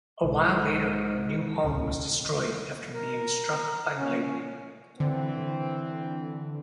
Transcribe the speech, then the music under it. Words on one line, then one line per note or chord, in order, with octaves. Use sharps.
A while later her new home was destroyed after being struck by lightning.
B1 G#2
D1 C2 C#3
A#4
C#4
D3 E3 C4